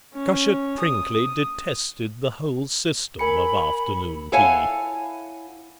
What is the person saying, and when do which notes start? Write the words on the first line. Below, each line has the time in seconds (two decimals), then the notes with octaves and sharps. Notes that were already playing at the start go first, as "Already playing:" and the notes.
Cushat-Prinkly detested the whole system of afternoon tea.
0.14 C#4
0.80 D#6
3.19 A#4 G#5 B5 C#7
4.32 E4 A4 C#5 F5 F#5 G#5